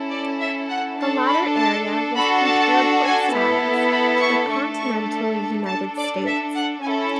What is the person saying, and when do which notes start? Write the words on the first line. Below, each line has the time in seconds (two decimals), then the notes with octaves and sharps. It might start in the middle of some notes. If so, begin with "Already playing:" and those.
The latter area was comparable in size to the continental United States.
Already playing: C#4 E4 A4
0.11 D5
0.40 E5
0.70 F#5
0.99 D4 A4 A5
1.28 B5
1.57 A5
2.16 D4 F#4 A4 B5
2.45 A5
3.04 G#5
3.33 B3 E4 A4
3.91 B5
4.20 C#6
4.49 A3 D4 A4 C#6
4.80 C#6
5.66 D4 A4 A5
5.97 D5
6.26 E5
6.55 F#5
6.83 C#4 E4 A4 G#5